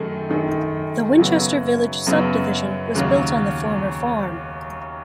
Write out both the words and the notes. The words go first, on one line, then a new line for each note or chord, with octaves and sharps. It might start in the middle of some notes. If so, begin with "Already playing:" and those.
The Winchester Village subdivision was built on the former farm.
Already playing: F#2 D#3 A3 D#4 G#4
F#2 D#3 A3 D#4 G#4
F#2 C#3 F#3 B3
F#2 C#3 F#3 B3
D#2 C#3 F#3